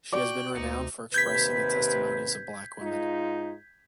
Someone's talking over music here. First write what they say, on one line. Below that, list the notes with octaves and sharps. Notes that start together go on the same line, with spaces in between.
She has been renowned for expressing the testimonies of black women.
F#4 D5 G5 C#6 D6 F#6
D2 D#4 C#7
D#2 C3 B4 G6 G#6 B6
G#2 D#4 F4